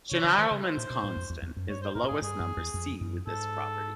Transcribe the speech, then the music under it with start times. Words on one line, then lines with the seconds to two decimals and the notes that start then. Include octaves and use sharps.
Schnirelmann's constant is the lowest number C with this property.
0.11 C#3 C#5
0.24 D3
0.38 D#3 C5
0.51 C#3
0.64 C5
0.77 A#2
0.90 B2
1.03 A2
1.16 F2
1.30 E2
1.42 E2
1.57 F#2
1.69 G2 C#5
1.82 C5
1.95 G#2 A#4
2.03 A2
2.08 G#2 G#4
2.22 G2 G#4
2.40 F#2
2.57 E2
2.74 F2
3.01 F#2
3.27 G#2 A4